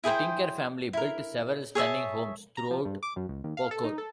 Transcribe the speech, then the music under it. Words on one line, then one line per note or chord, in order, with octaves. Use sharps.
The Tinker family built several stunning homes throughout Poquott.
E4 G#4 C5 G5
E4 A#4
G#4 C#5 E5 A5
A#5
F3
G2
D6
F#2
C#2
D#2
F5
A4
D#4
A4